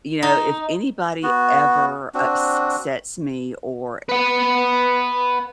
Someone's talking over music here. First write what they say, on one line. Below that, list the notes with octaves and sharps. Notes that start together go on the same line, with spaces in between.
you know, if anybody ever ups sets me or
D#4
B3 F#4
C4 D4 F#4
B4 F#5